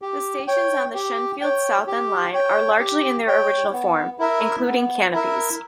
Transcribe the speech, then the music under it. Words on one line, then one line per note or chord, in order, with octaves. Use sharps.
The stations on the Shenfield-Southend line are largely in their original form, including canopies.
G4
C#5 G5
G4
C#5 G5
G4
C#5 G5
G4
C#5 G5
B3
E4 A#4 E5
B3
E4 A#4 E5